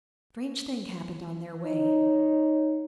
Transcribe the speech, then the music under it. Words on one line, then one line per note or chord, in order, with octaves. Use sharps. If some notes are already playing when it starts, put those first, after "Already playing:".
A strange thing happened on their way.
D#4 C#5